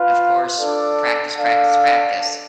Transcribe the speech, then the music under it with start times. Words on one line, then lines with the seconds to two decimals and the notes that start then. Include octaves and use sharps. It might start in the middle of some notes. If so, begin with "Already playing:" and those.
of course, practice, practice, practice.
Already playing: F4 B4 F5
0.56 D4 A4 D5
1.38 D4 A4 D5 F5